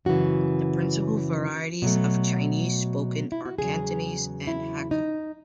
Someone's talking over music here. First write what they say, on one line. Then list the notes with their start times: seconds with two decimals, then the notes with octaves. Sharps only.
The principal varieties of Chinese spoken are Cantonese and Hakka.
0.05 F#2 C#3 E3 F#4
1.82 B2 F#3 A3
3.32 E4
3.45 F#4
3.58 E2 C#3 F#3 G#4
4.47 E4
4.91 D#4